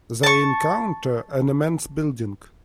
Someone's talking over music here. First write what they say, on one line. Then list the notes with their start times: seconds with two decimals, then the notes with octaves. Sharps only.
They encounter an immense building.
0.23 A5 C#6